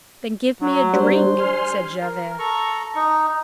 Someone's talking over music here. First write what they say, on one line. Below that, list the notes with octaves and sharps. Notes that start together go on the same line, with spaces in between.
"Then give me a drink," said Javert.
F#3
G3 D4 C5
G#5 C6 F6
A#4
A4 A#5 C#6
D#4